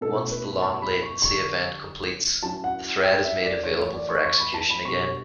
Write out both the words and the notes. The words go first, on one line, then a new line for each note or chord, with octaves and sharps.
Once the long-latency event completes, the thread is made available for execution again.
B2 A3 C#4 E4 A4
B4
A5
B5
C#6
D3 G3 D4 C#6
F#3 C#4 E4 A5
F#5
G5
E5
D5
E3 A3 E4 C#5
C#5
D5
C#6
C#6
B5
A5
B5
B2 G3 B3 D4 C#6